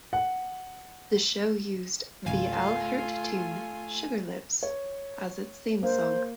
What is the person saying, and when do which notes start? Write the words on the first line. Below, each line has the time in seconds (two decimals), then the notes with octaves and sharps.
The show used the Al Hirt tune "Sugar Lips" as its theme song.
0.13 F#5
2.26 G#1 C#2 A3 F4 F5 G#5
4.63 C#5
5.83 A#3 C5